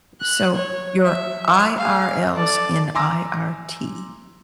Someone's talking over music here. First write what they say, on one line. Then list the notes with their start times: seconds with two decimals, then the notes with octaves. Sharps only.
So, your IRLs in IRT.
0.21 F#6
0.54 C#5
1.04 E5
1.77 G#4 F5
2.32 A4 D5
2.95 G#5 A#5 C6 D6 E6 A#6